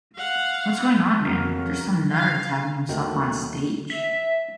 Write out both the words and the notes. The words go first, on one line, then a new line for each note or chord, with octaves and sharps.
'What's going on, man, there's some nutter attacking himself on stage.
F5 F#5
F2 C#3 F#4 A#4
F5
D#2 D#3 A3 F#4
E5